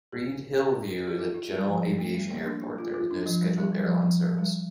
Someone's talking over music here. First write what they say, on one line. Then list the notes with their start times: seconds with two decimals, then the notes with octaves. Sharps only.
Reid-Hillview is a general aviation airport; there is no scheduled airline service.
0.12 G4
1.07 G4
1.19 F4
1.34 E4
1.55 G3
1.67 F3
1.82 G3
1.98 A3
2.14 G3
2.31 A#3
2.46 D4
2.62 E4
2.78 F4
2.94 F4
3.11 D4
3.26 F3
3.42 G3
3.58 G3
3.75 G3
3.83 F3
4.02 F3
4.38 G3